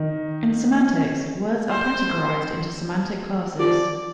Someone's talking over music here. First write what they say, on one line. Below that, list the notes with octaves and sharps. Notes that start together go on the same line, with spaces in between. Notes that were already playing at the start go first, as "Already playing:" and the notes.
In semantics, words are categorized into semantic classes.
Already playing: D#3
C5
F3 D5